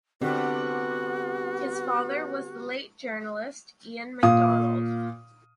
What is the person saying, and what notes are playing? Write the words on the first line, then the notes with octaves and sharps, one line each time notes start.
His father was the late journalist Iain Macdonald.
D3 G3 B3 C4 F#4 G4 F#5
A#2 F5 D#6